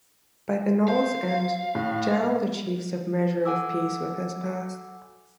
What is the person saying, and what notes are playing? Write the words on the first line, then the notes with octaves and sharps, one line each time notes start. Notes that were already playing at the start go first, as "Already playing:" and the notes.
By the novel's end, Gerald achieves a measure of peace with his past.
C5 F5
A2
A4 F#5 G#5 D6 E6